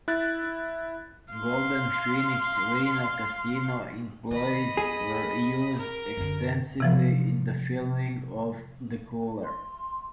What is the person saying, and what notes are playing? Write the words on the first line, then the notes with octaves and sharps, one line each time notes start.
Golden Phoenix Reno casino employees were used extensively in the filming of "The Cooler".
E4 F#6 A6
F5 C6
D#3 D#5 B5
E2 G#4
A#4
F#2 D3
C3 E3 F3
C6